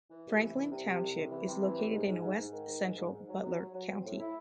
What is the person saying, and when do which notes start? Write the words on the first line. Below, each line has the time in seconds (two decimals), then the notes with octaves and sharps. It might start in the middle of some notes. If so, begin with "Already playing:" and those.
Franklin Township is located in west-central Butler County.
0.11 E3
0.26 C2
0.42 E3
0.57 C2
0.72 C3
0.87 C3
1.02 C2
1.17 C2
1.32 E3
1.47 C3
1.63 E3
1.77 C2
1.93 G#2
2.08 G#2
2.22 G#2
2.38 G#2
2.52 D#3
2.68 G#2
2.83 G#2
2.98 G#2
3.14 G#2
3.29 F#3
3.43 F#3
3.58 F#3
3.74 F#3
3.89 C4
4.05 A2
4.20 E4